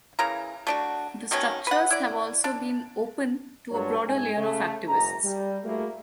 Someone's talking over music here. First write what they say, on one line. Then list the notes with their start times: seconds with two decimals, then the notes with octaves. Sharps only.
The structures have also been "open" to a broader layer of activists.
0.19 C#3 E3 A#4 A#5
0.67 A3 D4 F#4
1.31 B2 D#3 A3 C#4
1.67 B4 F#5
1.90 E4 D5
2.44 D4
3.71 G2 F#3 F4 B4 C#5 A5
4.07 G#2 G#5
4.36 C#3 A3
4.87 F#1 G#2 B2 A#5
5.24 G3
5.64 A3 A#3 E4 F#4 G#4 A#4